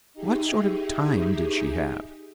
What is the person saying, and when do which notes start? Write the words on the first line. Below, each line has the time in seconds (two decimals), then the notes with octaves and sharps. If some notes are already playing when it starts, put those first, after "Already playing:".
What sort of time did she have?
0.14 D#4 G4 G#4 E5